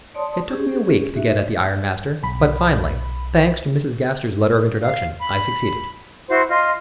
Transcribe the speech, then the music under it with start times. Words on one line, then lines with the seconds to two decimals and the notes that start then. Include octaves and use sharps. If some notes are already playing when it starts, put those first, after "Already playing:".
It took me a week to get at the iron-master; but finally, thanks to Mrs. Gaster's letter of introduction, I succeeded.
0.14 C#5 D5 A5 C6 D#6
0.49 C#4 G4 G#4
1.16 D#4 F#4 E5
2.23 B1 B5
4.82 F5
5.19 B5
6.28 E4 F#4 C5 C6
6.49 F4 D#5 C6